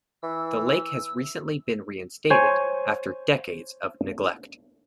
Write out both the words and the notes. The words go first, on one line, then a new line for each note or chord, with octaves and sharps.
The lake has recently been reinstated after decades of neglect.
E3 E6
C5 C#5 G#5